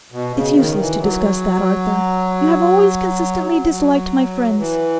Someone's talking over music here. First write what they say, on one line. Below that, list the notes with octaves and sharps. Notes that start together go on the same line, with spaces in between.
'It's useless to discuss that, Arthur; you have always consistently disliked my friends.
B2
C#3
D#3
E3
F#3
F#3
E3